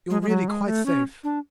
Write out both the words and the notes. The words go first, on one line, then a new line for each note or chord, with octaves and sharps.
You're really quite safe.
G#3
G#3
F#3
G#3
A3
C#4
D4